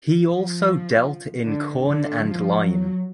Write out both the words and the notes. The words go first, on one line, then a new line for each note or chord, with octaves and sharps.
He also dealt in corn and lime.
F3
D3
D3
F3
F#3